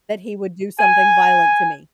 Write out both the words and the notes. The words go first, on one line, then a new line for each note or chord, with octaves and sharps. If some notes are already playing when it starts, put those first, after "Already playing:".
that he would do something violent to me.
G#5